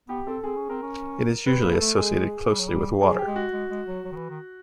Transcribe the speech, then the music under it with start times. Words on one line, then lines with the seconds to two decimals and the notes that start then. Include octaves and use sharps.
It is usually associated closely with water.
0.09 B3 G4
0.26 C4 A4
0.44 C4 G#4
0.56 C#4
0.69 C4 A#4
0.82 C#4
1.46 C4 B4
1.64 A#3
1.73 A4
1.81 A3
1.98 G#3 G#4
2.50 G3
2.59 F#3
2.68 G3
3.01 F#3 G#4
3.19 G4
3.27 G#3
3.36 F#4
3.53 G#3
3.70 G#3
3.88 F#3
4.05 F#3
4.12 D#3
4.17 E3
4.30 D#3